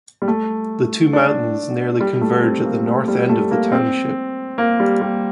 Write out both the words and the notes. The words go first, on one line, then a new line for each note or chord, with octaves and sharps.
The two mountains nearly converge at the north end of the township.
G3
A3
D4
G3
A3
C4
A#3
A3
G3
A3
A#3
C4
A#3
G3
G3